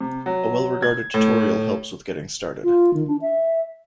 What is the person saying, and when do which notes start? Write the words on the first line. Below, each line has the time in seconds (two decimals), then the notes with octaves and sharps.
A well-regarded tutorial helps with getting started.
0.01 C3
0.26 F#3
0.82 G#6
1.14 A2
2.63 F4
2.94 D#3
3.07 D4
3.21 E5